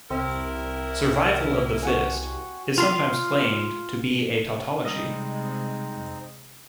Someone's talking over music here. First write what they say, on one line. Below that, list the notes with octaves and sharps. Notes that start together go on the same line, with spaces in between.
"Survival of the fittest" is sometimes claimed to be a tautology.
C2 C4 E4 A#4
F#4 F#5 G#5
F4 F5
C3 G3 G#3 C4 D#4 D#5